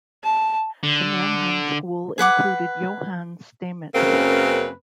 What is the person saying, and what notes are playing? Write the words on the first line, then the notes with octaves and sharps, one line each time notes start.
The Mannheim school included Johann Stamitz.
A5
D3
G#4 B4 F#5 D6
F#2 C#3 A#3 C4 A#4 B4